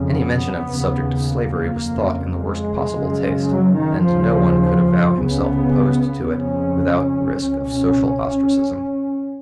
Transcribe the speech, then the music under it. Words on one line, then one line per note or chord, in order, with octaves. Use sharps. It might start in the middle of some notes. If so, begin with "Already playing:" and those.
Any mention of the subject of slavery was thought in the worst possible taste, and no one could avow himself opposed to it without the risk of social ostracism.
Already playing: F2 C#3
B3
D#2 C#3
A#3
F2 C#3
G#3
F#2 C#3
F#3
D#3
D#2 C#3 F3
C#2 C#3 B3
F2 C#3 C#4
C#2 B2 C#4